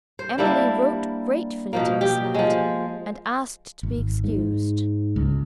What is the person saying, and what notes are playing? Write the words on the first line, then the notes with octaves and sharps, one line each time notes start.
Emily wrote gratefully to Miss Ladd, and asked to be excused.
C5
G3 A#3 D4 E4
B2 F3 A#3
G4
F3 G#3
G#1
G#2
C#2